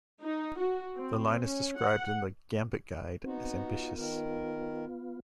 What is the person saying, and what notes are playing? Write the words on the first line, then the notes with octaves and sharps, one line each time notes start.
The line is described in the "Gambit Guide" as "ambitious".
D#4
F#4
C4
C#4
F#5
B3 C4 D#4 F#4
C4
F4
D#3 B3 F4 A#4